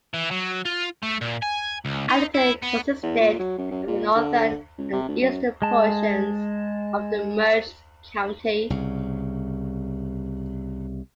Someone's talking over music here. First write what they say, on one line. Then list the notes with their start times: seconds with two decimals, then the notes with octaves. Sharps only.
Addington consisted of the northern and eastern portions of the merged county.
0.14 E3
0.31 F#3
0.65 F4
1.03 A3
1.21 A#2
1.43 G#5
1.85 C#2
2.09 D#4
2.35 E4
2.63 B3
3.03 E2
3.20 A#2
3.39 F#3
3.58 F#2
3.71 F#2
3.88 A#2
4.16 D3
4.78 C#2
4.93 C3
5.08 D2
5.21 F#2
5.62 G#3 A5
8.70 C2 C#3